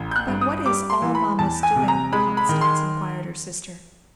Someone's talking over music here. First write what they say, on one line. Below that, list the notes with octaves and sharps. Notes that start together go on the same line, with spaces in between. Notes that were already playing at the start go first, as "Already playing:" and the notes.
"But what is 'all mamma's doing,' Constance?" inquired her sister.
Already playing: A1
G6
F#6
G2
D#6
G3 D6
C6
E3
B5
E2 A5
G#5
C3
A#5
G#3 B5
B5
D#3
C6